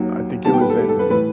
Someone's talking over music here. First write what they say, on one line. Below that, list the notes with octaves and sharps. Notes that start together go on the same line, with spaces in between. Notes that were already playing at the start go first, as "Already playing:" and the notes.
I think it was in
Already playing: D#2 D#3 F#3
D#2 D#3 G3 B3 A5
G5
B4
A4
G4
A4
B4
A2 E3 A3 B4